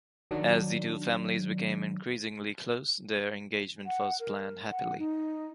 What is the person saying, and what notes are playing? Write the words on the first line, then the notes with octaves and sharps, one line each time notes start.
As the two families became increasingly close, their engagement was planned happily.
D#3 F#3 D4
F#5
A#4
F#5
D#4